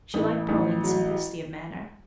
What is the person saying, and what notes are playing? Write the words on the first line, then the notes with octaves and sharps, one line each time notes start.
She liked Pauline's simplicity of manner.
A1
A1
F#3